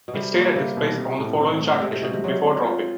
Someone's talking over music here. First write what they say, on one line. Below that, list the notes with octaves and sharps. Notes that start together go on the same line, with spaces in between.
It stayed at this place on the following chart edition, before dropping.
B2
C3 G3
A#3
C3 A#3
B2
C4
A2
C4
A3
C3 G#3
C3
B2 C4
C3
F#3 G#3
C4
F4